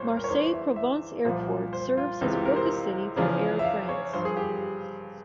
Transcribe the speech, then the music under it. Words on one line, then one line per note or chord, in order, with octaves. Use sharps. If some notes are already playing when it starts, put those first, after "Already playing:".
Marseille Provence Airport serves as a focus city for Air France.
Already playing: C2 A#2 C5 C#5
A#4
C#5
E2 E3 C5
C5
E5
E5
C2 A#2 F3
C5
F4
C#2 C3 E3 F4
G4
A#4
C5
E2 C#3 F3
E5
F5
C#5
G2 F3 C5
G#4
G4